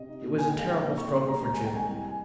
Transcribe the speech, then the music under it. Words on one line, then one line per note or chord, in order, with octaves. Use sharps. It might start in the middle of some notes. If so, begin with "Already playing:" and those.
It was a terrible struggle for June.
Already playing: C3 D#5
D#4
A#2
C4 G#5
G#3 G5
F5
D#4 G5
A#2
C4 C#6
G3 C6
A#3 A#5
C#2 A#5
D#3 G#5
G5
C3 G#5
C2
G#5